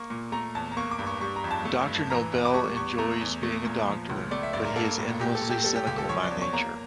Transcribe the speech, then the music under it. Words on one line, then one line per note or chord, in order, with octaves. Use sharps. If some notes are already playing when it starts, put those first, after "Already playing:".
Doctor Noble enjoys being a doctor, but he is endlessly cynical by nature.
Already playing: A#3 C#6
A#2
A3 A#5
E2 A5
A#5
A#3 C#6
D6
G2
C#6
G3 C#6
A#5
F2
A5
A3
G2
E3 A#5
E2
D6
G3 C#6
E2 C#6
A3 A#5
E2
A3
A#2
F3
C#2
A3 D5
E5
G2 D5
A#4
A#3 A4
A2
A#2 G4
A4
A#2
G4
G3 A4
G4
C#2 G4
A4
F3 C#5
D5
E2
C#6
A#3 A#5